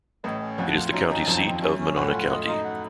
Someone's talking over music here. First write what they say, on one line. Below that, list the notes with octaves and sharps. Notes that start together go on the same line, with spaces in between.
It is the county seat of Monona County.
A1 A2 D#5
C#4
F2 F3 F#5
F4
F#2 F#3 D#4
D#2 D#3 D#4
F2 F3 C4
C4
F#2 F#3 C#4
C#4
A2 A3 F#5
F4
D#5
D#4
F#5